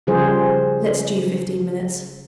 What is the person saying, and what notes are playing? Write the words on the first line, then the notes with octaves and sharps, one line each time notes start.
Let stew fifteen minutes.
C#3 F3 G3 G#4 C5